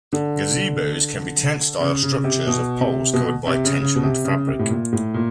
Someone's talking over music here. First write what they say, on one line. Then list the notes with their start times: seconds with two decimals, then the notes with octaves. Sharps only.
Gazebos can be tent-style structures of poles covered by tensioned fabric.
0.13 D3
1.81 C#3
2.03 C#3
2.24 C3
2.47 B2
2.81 C3
3.13 B2
3.47 C3
3.64 C#3
3.80 C#3
3.95 B2
4.03 C3
4.24 C#3
4.47 C3
4.59 A2
4.70 A#2
4.93 A2
5.14 A#2